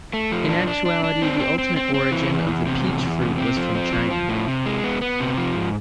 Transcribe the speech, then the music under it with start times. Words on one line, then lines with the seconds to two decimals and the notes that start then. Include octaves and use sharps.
In actuality, the ultimate origin of the peach fruit was from China.
0.13 A3
0.32 F3
0.49 D4
0.67 D4
0.86 D4
1.04 D4
1.22 C4
1.39 C4
1.58 C4
1.76 C4
1.94 C4
2.12 E3
2.31 E2
2.48 E2
2.66 C3
2.85 E2
3.03 E2
3.21 C3
3.38 C4
3.57 F3
3.75 C4
3.92 F3
4.10 F3
4.29 A2
4.48 C3
4.66 G#3
4.84 B3
5.02 B3
5.20 C3
5.38 F3
5.55 G#2